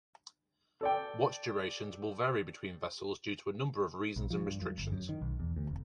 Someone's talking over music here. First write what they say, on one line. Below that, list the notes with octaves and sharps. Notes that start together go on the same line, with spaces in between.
Watch durations will vary between vessels due to a number of reasons and restrictions.
A4 D5 G5
B1
F3
G2
F#2
G1
F#2
D#3
B1
E2
D2
F1